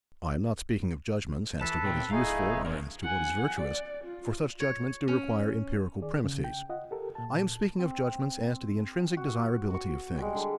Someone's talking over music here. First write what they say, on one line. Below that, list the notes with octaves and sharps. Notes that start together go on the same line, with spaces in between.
I am not speaking of judgements as to what is useful or as to what is virtuous, for such judgements do require empirical premisses; I am speaking of judgements as to the intrinsic desirability of things.
E3 A4 B4 A5
A#2 A3 C4 G5
D1 A3 D#4 E4 G#4 D#5 F5
E3 D4 A#4
F#5 G#5
D5
F4
C#5
C#4
D#3 G#4 D5
C#3
G5
F4 D#5 F#5
G4 A4 A#4
A#2 A5
C4
F#4
F#4 C#6
G3 G#3
D3